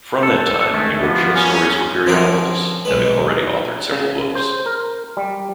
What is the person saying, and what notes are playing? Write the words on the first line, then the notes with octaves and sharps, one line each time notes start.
From that time, he wrote short stories for periodicals, having already authored several books.
A4
D#3 G#3 A3
F3 B3
C#4
D3 F3 C4 C#4 A#4 C#5
B1 G#3 B4
C#3
C5
A#4
G3